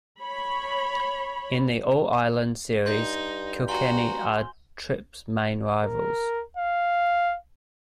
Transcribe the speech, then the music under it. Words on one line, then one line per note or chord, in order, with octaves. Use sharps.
In the All-Ireland series, Kilkenny are Tipp's main rivals.
C#5 B5
G2 D#4 C6 G6 A#6
F#4 G#5 A#5 C6 G7
A#4
F5